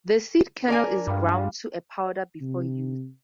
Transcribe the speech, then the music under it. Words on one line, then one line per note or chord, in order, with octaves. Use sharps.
The seed kernel is ground to a powder before use.
D4 A#4 D5 G#5
G2 G3 G#3 F4
C3